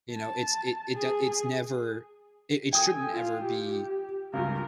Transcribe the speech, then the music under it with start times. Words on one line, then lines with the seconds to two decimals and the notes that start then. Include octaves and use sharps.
You know, it's it it d it's never it it shouldn't ever be,
0.13 A5
0.97 G#4
2.73 A4 G5 G#5 D#6
3.13 F4
3.44 G4
4.34 C#2 G2 C#3 A#4